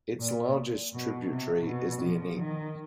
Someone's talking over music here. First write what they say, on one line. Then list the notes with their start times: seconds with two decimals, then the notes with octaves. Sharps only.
Its largest tributary is the Ennepe.
0.20 A#2
0.93 B2
1.30 C3
1.66 B2
2.03 F3
2.40 D#3